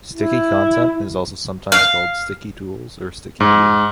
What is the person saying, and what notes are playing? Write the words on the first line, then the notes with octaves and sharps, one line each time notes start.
Sticky content is also sometimes called sticky tools or sticky gear.
E4
F5
G#2